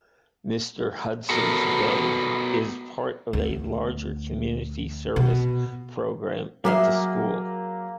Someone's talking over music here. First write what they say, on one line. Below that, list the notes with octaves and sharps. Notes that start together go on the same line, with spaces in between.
Mr. Hudson's Bay is part of a larger community service program at the school.
B3 F#4 A4 A#4
D2
B2
F#3 A#3 G#4 E5 C6